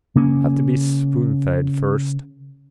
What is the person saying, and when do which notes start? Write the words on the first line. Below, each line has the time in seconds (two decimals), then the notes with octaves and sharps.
Have to be spoonfed first.
0.15 C#3 A#3 C#4